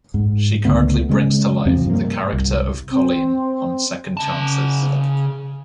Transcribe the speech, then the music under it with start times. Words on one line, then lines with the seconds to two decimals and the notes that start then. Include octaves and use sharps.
She currently brings to life the character of Colleen on "Second Chances".
0.14 G#2
0.65 C#2 D3 A3 B3
1.09 C#3 G#3 A3 C#4
1.65 E2 C3 F3 C4
1.86 G2 A#3
2.33 C2
2.91 C4
4.17 C#3 A5